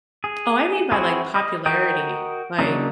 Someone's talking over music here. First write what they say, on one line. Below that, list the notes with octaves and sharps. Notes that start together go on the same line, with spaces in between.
Oh, I mean by, like, popularity. Like,
G#4
C4 E4 F#4 G#4
D#5
F#4 A#4 D#5 G5
C#3 F#3 A#3 D4 D#4